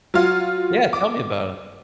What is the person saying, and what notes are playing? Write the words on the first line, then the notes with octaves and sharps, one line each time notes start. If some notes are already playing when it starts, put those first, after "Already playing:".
Yeah, tell me about it.
F#3 F4
D6